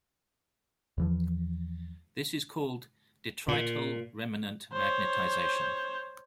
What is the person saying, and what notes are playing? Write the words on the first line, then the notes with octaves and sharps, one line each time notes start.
This is called "detrital remanent magnetization".
E2 E3 F3
A#2
C5 C#5